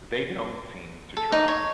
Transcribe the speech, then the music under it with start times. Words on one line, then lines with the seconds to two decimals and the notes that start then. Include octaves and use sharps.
They don't seem to try.
1.17 A4
1.32 D#4
1.48 C#5